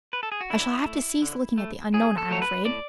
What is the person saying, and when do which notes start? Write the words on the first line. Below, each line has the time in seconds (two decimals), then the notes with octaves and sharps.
I shall have to cease looking at the Unknown, I am afraid.
0.13 B4
0.23 A4
0.32 G#4
0.41 F#4
0.50 D3 E4
0.86 A3
1.22 D3
1.58 A3
1.94 A2 G#4
2.18 A4
2.30 F#3 A3 C#5
2.42 B4
2.65 A2 D5